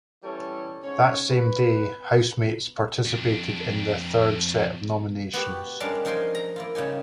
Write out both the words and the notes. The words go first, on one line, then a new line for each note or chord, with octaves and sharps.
That same day, Housemates participated in their third set of nominations.
E3 G3 C#4 A4 C#5
G#2 C#4 C#5
B4
F2 D4
B3 F#4 G4
G3 G#3 C#4 D4 A#4 F5
F3 D#4 A#4 G#5 C6
A#5
A#3 E4 F4
C#3 G3 D#4 G#5